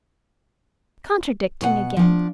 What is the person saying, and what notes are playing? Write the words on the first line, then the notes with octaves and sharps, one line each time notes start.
Contradicting again!
B2 C#5 F#5
F3 D4